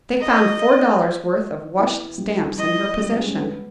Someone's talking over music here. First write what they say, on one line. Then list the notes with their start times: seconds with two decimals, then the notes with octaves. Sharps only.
They found four dollars worth of washed stamps in her possession.
0.20 B3 D#5
1.79 E3
2.18 G3
2.58 E3 D#5
2.97 G3
3.13 G3
3.17 G#3
3.27 C#4
3.37 B3